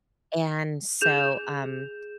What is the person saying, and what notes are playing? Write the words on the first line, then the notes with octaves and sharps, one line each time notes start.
and so, um,
G#4 G6 E7 F7